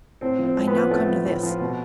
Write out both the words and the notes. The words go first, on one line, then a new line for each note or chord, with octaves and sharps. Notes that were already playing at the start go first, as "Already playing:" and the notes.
'I now come to this.
A2 C4
F3
C4
A2
B3
F3
A2 A3
F3
A2
F3
B2